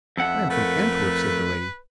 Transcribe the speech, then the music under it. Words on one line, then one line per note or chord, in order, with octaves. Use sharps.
"I am from Antwerp," said the lady.
F2 E5 F#5
A3 A#4 B4